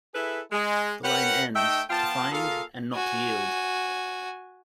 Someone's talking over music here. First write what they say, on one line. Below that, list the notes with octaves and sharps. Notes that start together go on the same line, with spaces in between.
The line ends ...to find, and not to yield.
E4 G#4 A4 B4 E5
G#3
G4 A#4 B4 C#5 F#5
A3 D#4 E5 G5
F3 B3 F4 G5 A5
A#3 F4 G#4 A4 F5
F#4 G#5